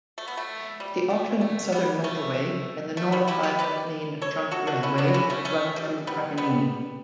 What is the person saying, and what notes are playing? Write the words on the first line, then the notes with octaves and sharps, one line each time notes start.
The Auckland Southern Motorway and the North Island Main Trunk Railway run through Takanini.
A3
B3
A3
G3
A3
A3
G3 B3
A3 C#4
A3
G3 B3
E4 G4
G4 B4
B4 D5
A4 C#5
F#4 A4
D4 F#4
C#4 E4
B3 D4
F#4
C#4 E4
A3 C#4
A3 C#4
G3
G3 B3
G3 B3